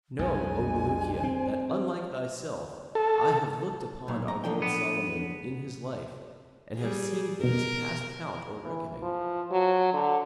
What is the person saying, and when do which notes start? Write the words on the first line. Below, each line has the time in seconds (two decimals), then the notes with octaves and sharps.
Know, O Bulukiya, that unlike thyself I have looked upon our lord Solomon, in his life, and have seen things past count or reckoning.
0.19 B1 F2 G#3 D4 G#5
1.24 C4 D4 C5
2.95 A4
4.08 B1 A#2
4.28 A#5
4.44 D3 F3 G5
4.62 B3
6.76 G3 G#4
7.44 B2 A#4
8.65 E3
9.02 F3
9.51 F#3
9.93 D3